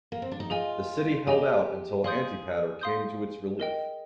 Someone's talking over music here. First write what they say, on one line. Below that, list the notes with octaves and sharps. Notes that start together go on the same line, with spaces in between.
The city held out until Antipater came to its relief.
A#3
C4
D4
D#4
F4 G#4 D#5 G#5
G4 G#4 D#5 G#5
G#4 F5 C6 D#6 G6
F5 C6 D#6 G6
A#4 D#5 G5